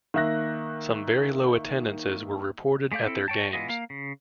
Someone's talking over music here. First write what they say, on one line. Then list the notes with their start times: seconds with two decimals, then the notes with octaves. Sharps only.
Some very low attendances were reported at their games.
0.14 D#3 A#3 E5 F#6 A#6
2.92 G#3 A3 D5 F5 G6
3.06 C4 E4 A4
3.28 C#5 G5 A5
3.53 E3 G#3 B3 F4 D#5
3.69 A#3 F5
3.90 C#3